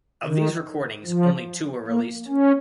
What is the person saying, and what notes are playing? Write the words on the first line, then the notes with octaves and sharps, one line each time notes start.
Of these recordings, only two were released.
D#3
F3
A#3
C#4